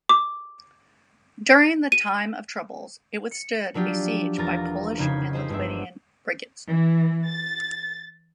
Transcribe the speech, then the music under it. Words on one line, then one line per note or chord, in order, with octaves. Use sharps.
During the Time of Troubles it withstood a siege by Polish and Lithuanian brigands.
D6
D#7
C#7
F3 F#3 D4 F4 G4
E1 F4 A#4 A6 A#6
F1 C#3 D#4 G4 G#6 C7
G4 G#4 C5 D#5
G1 G#3 D4 E5
E3
A6